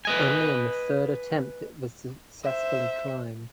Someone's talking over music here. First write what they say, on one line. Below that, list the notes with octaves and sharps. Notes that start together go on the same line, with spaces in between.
Only on the third attempt it was successfully climbed.
B4 D#5 G#5
C5 E5